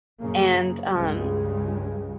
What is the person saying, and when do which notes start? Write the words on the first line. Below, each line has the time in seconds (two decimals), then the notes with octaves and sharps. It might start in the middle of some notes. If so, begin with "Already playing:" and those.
and, um,
0.20 F#2 C#3 A#3
0.92 C#2 G2 C#3 G3 G#3